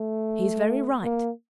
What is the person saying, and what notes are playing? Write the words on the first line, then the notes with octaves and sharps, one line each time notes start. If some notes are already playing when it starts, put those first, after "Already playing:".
He's very right.
Already playing: A3
A#3